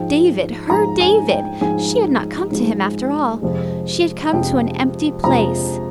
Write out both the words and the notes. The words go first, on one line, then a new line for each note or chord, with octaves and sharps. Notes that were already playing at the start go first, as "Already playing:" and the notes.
David--her David--she had not come to him after all; she had come to an empty place.
Already playing: G#2 F3 G#3 G5
G#2 F3 G#3 A#5
G#5
G5
G#2 F3 G#3 G#5
G#2 F3 G#3
F2 C3 F3 G#3
F2 C3 F3 G#3 G5
F2 C3 F3 G#3 A#5